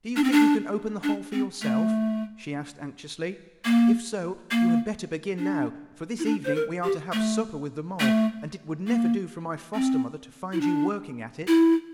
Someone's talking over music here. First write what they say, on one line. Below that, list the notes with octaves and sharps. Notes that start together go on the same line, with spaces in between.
Do you think you can open the hole for yourself?' she asked anxiously. 'If so, you had better begin now, for this evening we are to have supper with the mole, and it would never do for my foster-mother to find you working at it.'
D4
C4
D4
D4
C4
A3
A#3
A#3
D4
E4
D4
C5
A#4
G4
A3
A3
A#3
C4
E4
D4
E4